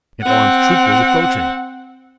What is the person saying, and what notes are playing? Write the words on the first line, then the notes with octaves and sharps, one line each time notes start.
An armed troop was approaching.
C4 F#5